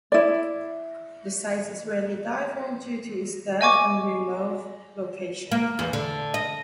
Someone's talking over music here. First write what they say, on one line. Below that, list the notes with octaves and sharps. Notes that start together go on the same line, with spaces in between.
The site is rarely dived on due to its depth and remote location.
E4 D5
D#5 G#5 C#6 D6
A#3
E2
D3
D#5